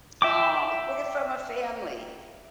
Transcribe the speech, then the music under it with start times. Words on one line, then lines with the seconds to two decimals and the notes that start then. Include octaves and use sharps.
Aw, get it from a family.
0.22 E5 G5 D6